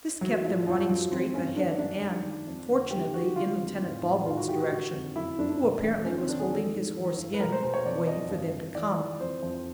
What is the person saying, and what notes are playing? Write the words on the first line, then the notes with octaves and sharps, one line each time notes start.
This kept them running straight ahead, and, fortunately, in Lieutenant Baldwin's direction, who apparently was holding his horse in, waiting for them to come.
E3 F#3
A2 F3
F#2 F3
F#2 F#3
E3 C4
G2 C#4
D#3 D4
F#2 D4
D#3
D#3
F2
D3
D#3 G4
D#3 F#4
D3 F4
F2
A2
A2
G#2 F4
F#4
D#3 G4
F#4
D3
F2
F#2 E4
F#2 D4
D4
B2
E2
D#3 C#4
C4
D#3 D4
G#4
E3 A4
G#2
E3
G2
B4
B2 A#4
C5
B2 C5
C#5
F2 D5
F2 D#5
G2
G2
E3 D5
E3
F2 C5
F2